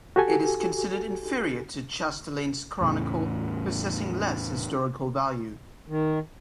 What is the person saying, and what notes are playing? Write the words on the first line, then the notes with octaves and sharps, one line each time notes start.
It is considered inferior to Chastellain's chronicle, possessing less historical value.
F#4 G4 A4 G#5
E2 A2 C#3
D#3